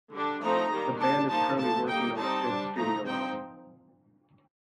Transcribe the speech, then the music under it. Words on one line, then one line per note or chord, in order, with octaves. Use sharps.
The band is currently working on a fifth studio album.
D3 G3 D4
F3 A3 C4 D#4 A#5
D#3 G3 A#3
G3 D4 A5
F3 A#3 D#4 A5
D3 F3 A3 A5
G3 A#3 D#4 G5
G3 C4 D#4 A5
G3 D4
F3 A3 D#4 A#5
F3 C4 D#4 G5